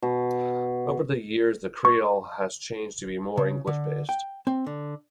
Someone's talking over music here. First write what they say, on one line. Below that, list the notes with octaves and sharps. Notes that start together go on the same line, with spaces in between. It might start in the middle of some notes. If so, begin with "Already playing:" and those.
Over the years the creole has changed to be more English-based.
B2
C#6
C#3
D3
G5
C4
D3